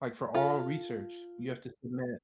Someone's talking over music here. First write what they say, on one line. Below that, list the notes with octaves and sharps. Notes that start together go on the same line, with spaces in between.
like for all research, you have to submit,
F4 A4